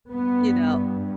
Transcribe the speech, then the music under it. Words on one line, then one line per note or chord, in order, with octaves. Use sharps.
you know
G2 B3